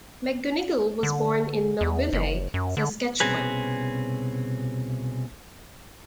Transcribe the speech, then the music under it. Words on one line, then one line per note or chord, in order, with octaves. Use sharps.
McGonigal was born in Melville, Saskatchewan.
D3
E2
F#1
F#2
D3
C2 B2 C4 C#4 G#4 B4